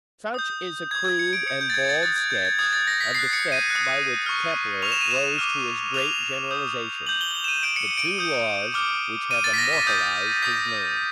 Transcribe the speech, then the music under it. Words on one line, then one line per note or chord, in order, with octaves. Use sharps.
Such is a crude and bald sketch of the steps by which Kepler rose to his great generalizations--the two laws which have immortalized his name.
D#6 G6
D#6 G6 G#6
G#6
C#7
D7
D#6 G6 C#7
G6
A6
G#6
A6
D#6 F#6 A6
G#6
G6
G#6
D#6 F#6 G#6
A6
A#6
B6
D#6 F#6 C7
C#7
D#7
F#6
D#6
C#6 F6
C#6 F6 F7
E7
D#7
E7
D6 F6
D6 F6 F7
D#6 G6
D#6 G6 F#7
G7
F7
E7
D#7
D#6 G6 D7
C#7
C#7
D7
D#7
D#6 G6
D6 F6
D6 F6 D#7
A6
B6
A#6
B6
D#6 G6
D#6 G6 B6